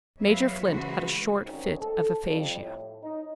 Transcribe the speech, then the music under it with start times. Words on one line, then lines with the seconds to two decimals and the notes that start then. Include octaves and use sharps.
Major Flint had a short fit of aphasia.
0.20 E2 F#3 B4 C#5 E5 F5
0.62 C#3 E3 G#3 F#4 B4 C5
1.46 C2 G#2 D#3 C4 C#4 D#4
1.81 A4
2.25 F2 G3 C4
2.62 A2
3.03 D#4